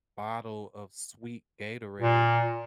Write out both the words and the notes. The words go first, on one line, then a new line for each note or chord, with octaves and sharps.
bottle of sweet Gatorade,
A#2